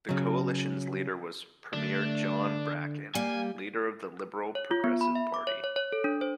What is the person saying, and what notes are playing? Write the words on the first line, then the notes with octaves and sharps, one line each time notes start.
The coalition's leader was Premier John Bracken, leader of the Liberal-Progressive Party.
C#3 F#3
D3 A3 D4
G3 A#3 F5 G#5
C#5
F4
B3
B5
E5
D6
C#5
C#5
C#5
A4
D4
C5